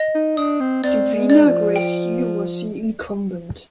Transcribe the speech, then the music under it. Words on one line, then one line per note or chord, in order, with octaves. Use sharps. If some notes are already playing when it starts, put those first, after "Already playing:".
Divina Grace Yu was the Incumbent.
Already playing: D#5
D#4
D4 D#6
C4
C4 D5
G#3
D5
F3
G5